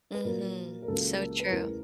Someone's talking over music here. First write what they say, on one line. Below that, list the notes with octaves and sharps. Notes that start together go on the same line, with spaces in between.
Mhm, so true.
B4
A#2 F#3 A#3 A#4
A#4
C#2 C#3 F#3 A#3 A4
A#4
B4
E2 C#3 E3 A3 A#4